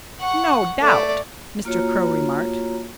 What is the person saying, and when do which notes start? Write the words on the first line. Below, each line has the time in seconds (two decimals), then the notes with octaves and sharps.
"No doubt!" Mr. Crow remarked.
0.20 F#5 C#6
0.81 A3 D5
1.65 A#3 F4 F#4 C#5 A#5